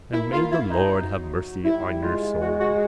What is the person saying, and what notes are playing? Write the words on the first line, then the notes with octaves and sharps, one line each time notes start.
And may the Lord have mercy on your soul.
A#3 E4
F4
E4
D#4
F#3
G3 E4
G#3 F4
F#4
F#4